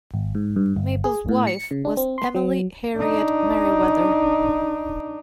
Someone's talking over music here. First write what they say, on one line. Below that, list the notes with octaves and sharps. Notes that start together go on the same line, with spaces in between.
Maple's wife was Emily Harriet Merryweather.
G#1
G#2
G2
G1
G#4
A2
C#7
C#3
D4
C4
C6
F#3
D4 D#4